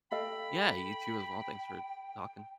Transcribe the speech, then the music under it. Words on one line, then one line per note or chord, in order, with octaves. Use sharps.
Yeah, you too as well, thanks for talking.
A4 D#5 F5 G5 B5